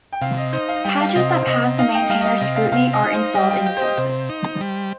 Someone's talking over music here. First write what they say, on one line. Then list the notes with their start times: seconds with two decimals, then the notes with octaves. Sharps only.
Patches that pass the maintainers' scrutiny are installed in the sources.
0.13 G5
0.21 C3 F5
0.37 D#5
0.53 D#4 C5
0.69 F5
0.84 G3 G5
1.00 F5
1.15 C3 D#5
1.32 C5
1.43 C5
1.47 C3 D#5
1.78 D#4 F5
1.95 G5
2.09 G3 F5
2.21 D#5
2.26 F5
2.41 C3 D#5
2.56 F5
2.72 C3 F5
2.93 D#5
3.04 D#4
3.14 C5
3.35 G3 D#5
3.51 G5
3.66 G4
3.77 C5
3.82 D#5
3.97 C3 C5
4.29 D#4
4.61 G3